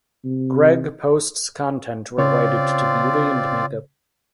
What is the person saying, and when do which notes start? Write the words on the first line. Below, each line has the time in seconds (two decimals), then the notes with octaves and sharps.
Gregg posts content related to beauty and makeup.
0.25 C3
2.18 C#3 C4 F4 C#5 D5